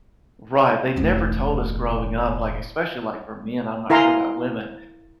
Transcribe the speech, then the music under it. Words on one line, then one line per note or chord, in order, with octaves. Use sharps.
Right, they never told us growing up, like, especially, like, for men, I'm not sure about women,
E1 A1
E4 A#4 F5 G#5 A#5 C6